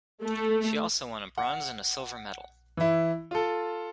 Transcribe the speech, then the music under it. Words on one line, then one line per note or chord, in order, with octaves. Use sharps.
She also won a bronze and a silver medal.
A3
F#5
E3 E4
F4 A4